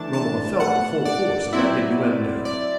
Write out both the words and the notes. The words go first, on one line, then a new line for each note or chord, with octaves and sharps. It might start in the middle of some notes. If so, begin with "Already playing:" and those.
Romola felt the full force of that innuendo.
Already playing: E3 A3 D4 A5
A5
F#5
D5
F#3 C4 E4
D5